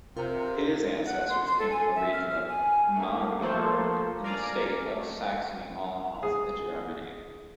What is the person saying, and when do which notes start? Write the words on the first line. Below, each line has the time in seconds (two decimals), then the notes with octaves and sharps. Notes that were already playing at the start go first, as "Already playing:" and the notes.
His ancestors came from the region of Magdeburg in the state of Saxony-Anhalt, Germany.
0.17 C3 F4 A#4
1.06 F#5
1.29 C6
1.46 C6
1.59 A4
1.70 G#5
1.95 E5
2.13 F6
2.29 F6
2.48 G#5
2.96 A3 A#3
3.42 F3 A3 A#3 A4 C5
4.24 A#4 D5 F5 G#5 A#5
4.86 A3
6.23 G#4